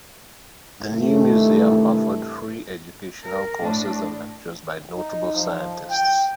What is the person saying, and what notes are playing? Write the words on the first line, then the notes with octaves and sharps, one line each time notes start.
The new museum offered free educational courses and lectures by notable scientists.
G2 C3 D#3 E3 A3
A#4
A2 D4
D#4
F3
G5